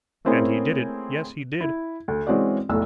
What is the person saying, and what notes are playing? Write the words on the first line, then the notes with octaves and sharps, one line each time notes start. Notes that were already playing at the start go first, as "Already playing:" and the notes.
And he did it; yes, he did!
A3 A#3 C4 C#4 E4 G#4
E4
D2
E3 G#3 C4 C#4 F#4 D5
F1 B1 A2 E6